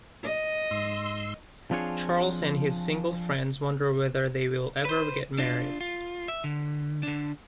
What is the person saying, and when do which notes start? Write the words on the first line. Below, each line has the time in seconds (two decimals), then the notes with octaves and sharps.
Charles and his single friends wonder whether they will ever get married.
0.25 D#5
0.71 G#2 C6 E6
1.71 F3 C4 D4 F4 G#4 C#5
4.85 B4 C5
5.38 D4 F4
5.81 F4
6.28 E5
6.44 D3
7.03 D3 D4